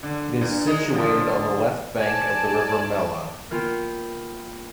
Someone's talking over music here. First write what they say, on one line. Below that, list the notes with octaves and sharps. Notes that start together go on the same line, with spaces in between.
It is situated on the left bank of the river Mella.
D3
G2
G#3 D#4
D3 F3
D5 G#5 A5
A#3 B3 F4 G5